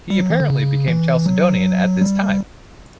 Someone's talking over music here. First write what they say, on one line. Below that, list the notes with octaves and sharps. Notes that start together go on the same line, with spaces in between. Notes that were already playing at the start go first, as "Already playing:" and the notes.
He apparently became Chalcedonian at this time.
G3
F#3
E3
D3
C#3
E3
F#3
G3